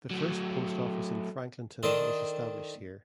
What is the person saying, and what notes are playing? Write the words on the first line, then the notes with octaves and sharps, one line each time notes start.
The first post office in Franklinton was established here.
F#3 A3
D#3 D4 A4 C5 D#5